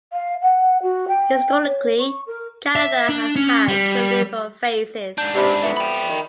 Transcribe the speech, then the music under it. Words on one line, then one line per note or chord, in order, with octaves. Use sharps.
Historically, Canada has had two liberal phases.
F5
F#5
F#4
G5
C#5
C#6
A#4
E5
D4
C#4
G3
G#2 D4 G6
G2 C3 G4 D5 B5
F2 B3 E5
G5 B5
D#3